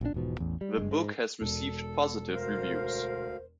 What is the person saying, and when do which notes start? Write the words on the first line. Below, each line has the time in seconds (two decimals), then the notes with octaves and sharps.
The book has received positive reviews.
0.01 A#1 F2 F3 D4
0.14 E1 G#2 B2 F3
0.39 A1 E2
0.61 G3
0.77 F#1 G2 G#3
0.91 G#2
1.41 E1 A4
2.33 D2 A#4 C5 F5